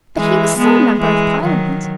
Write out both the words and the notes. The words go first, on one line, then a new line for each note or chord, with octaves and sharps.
But he was still a Member of Parliament.
E3 G#3
G#3 B3
E3 G#3
D#3 F#3